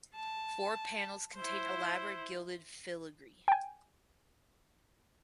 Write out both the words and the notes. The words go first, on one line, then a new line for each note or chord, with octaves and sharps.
Four panels contain elaborate gilded filigree.
A5
E4 C5
G5 G#5